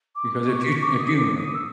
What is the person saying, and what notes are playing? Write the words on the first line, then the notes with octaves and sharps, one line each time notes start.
because if you if you, uh
D6
C#6
C#6
D6
D#6
D6
D#6
E6